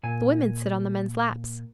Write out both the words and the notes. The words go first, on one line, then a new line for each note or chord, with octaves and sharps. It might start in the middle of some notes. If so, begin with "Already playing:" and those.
The women sit on the men's laps.
A#2 G#5